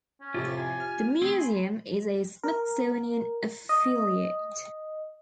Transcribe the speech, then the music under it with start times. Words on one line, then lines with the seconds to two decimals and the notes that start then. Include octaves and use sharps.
The museum is a Smithsonian Affiliate.
0.20 C#4
0.34 F2 A2 C3 F4 G4
0.57 G#5
0.80 F6
1.22 A3 C4 G#4 G#5 B5 C6
2.44 A#4
3.69 D#5